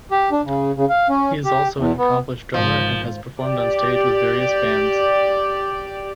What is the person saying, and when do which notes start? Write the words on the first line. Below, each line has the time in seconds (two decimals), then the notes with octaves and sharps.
He is also an accomplished drummer and has performed on stage with various bands.
0.11 G4
0.32 D4
0.45 C#3
0.77 C#3
0.90 F5
1.09 C#4
1.45 G4
1.77 E2
1.98 B3
2.54 G#1 F3
3.41 G4 D5